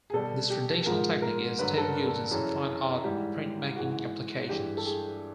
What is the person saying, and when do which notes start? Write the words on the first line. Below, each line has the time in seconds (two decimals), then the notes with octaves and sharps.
This traditional technique is still used in some fine art printmaking applications.
0.10 G#4
0.13 B2 G3 A4
0.50 G4
0.86 G#2 F3 G#3 A#4
1.22 A#4
1.59 G2 D3 F#3 B4
1.77 A4
1.84 A#4
2.07 A4
2.31 F#2 C#3 E3
3.03 G#2 E3 G3 G4
3.76 G#2 E3 G#3 F#4
4.49 G2 E3 G#3 G4
4.77 A4
4.85 G#4